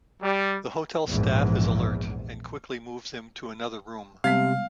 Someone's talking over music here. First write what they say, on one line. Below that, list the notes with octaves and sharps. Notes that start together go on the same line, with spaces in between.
The hotel staff is alert and quickly moves him to another room.
G3
A#1 E2 G#2
C3 G3 G#3 B3 F5